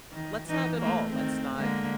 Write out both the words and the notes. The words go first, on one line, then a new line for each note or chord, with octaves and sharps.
Let's have it all. Let's not
D#3
E3 D#4
A3 A#3
D#3 C4
D3 G#3 A#3